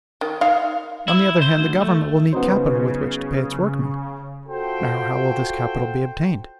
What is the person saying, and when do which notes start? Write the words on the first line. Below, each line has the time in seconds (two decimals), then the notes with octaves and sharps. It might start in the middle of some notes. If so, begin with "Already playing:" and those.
On the other hand, the government will need capital with which to pay its workmen; now, how will this capital be obtained?
0.21 D#3
0.41 D#4 F5
1.08 E4
1.42 C5
1.58 D2
1.82 A3
2.33 C#3 F#3 B3 C#4 D#4 B4 C5
4.46 F4 F#4 A4 C5 G5